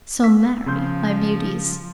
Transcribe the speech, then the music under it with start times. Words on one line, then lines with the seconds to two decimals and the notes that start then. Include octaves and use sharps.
So, marry, my beauties.
0.22 E6 B6
0.66 C#3 F3 C6 G6